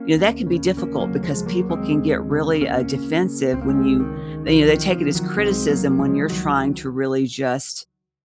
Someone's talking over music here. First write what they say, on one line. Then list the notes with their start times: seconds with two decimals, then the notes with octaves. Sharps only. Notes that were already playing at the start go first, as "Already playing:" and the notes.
you know, that can be difficult because people can get really, uh, defensive when you they you know, they take it as criticism when you're trying to really just
Already playing: A#3 C#4
0.16 D#2
0.47 C#3
0.77 D#2 A#3 C#4
1.00 F#3 A#3
1.08 C#3
1.23 F3 G#3
1.39 C#3
1.46 F#3 A#3
1.69 D#2 G#3 C4
2.00 D#2
2.31 C#3
2.61 C#2 A#3 C#4
2.92 C#3
3.23 C#3
3.53 C#2 C4
3.61 A#3
3.69 G#3 C4
3.85 C#2
4.00 D#3
4.15 C#3
4.46 C2 F3
4.69 D#3
4.77 C3
4.92 F3
5.07 C3
5.15 D#3 F#3
5.38 C2 G#3 C4
5.68 C2 F#3 A#3
5.88 A#3
5.99 C3 F3 G#3
6.30 C#2 D#3 F#3